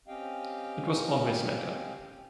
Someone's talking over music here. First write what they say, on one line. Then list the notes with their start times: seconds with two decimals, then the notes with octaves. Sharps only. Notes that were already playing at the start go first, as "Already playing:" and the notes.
It was always like that.
0.08 C4 C#4 G4 D#5 F5 G5